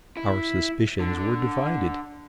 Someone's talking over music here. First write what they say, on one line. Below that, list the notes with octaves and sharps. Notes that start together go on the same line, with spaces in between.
Our suspicions were divided.
E4
D3